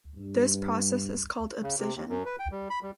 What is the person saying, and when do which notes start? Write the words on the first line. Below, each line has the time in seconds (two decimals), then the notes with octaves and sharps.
This process is called abscission.
0.16 G2
1.63 C#3
1.79 C3
1.95 D#2
2.09 F#2
2.26 B4
2.39 G5
2.52 G3
2.70 B5
2.82 G3